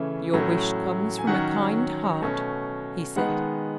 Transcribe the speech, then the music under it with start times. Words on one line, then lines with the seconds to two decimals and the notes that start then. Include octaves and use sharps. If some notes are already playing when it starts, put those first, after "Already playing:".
"Your wish comes from a kind heart," he said.
Already playing: C#3 E3 A3 C#4 E5
0.33 A2 F#3 A3 C#4
1.18 G#5
1.27 D#3 F#3 C#4 F#5
2.22 B2 A3 C#4
3.16 D#3 G#3 B3 F#5